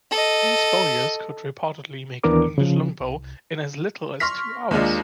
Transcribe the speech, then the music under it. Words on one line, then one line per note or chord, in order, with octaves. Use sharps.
These bowyers could reportedly make an English longbow in as little as two hours.
A4 D#5
D#2 E3 B3 D4 A#4 D6
C#3 F3
C2
C6 C#6 F6 A#6 B6
D#2 G#3 D4 F4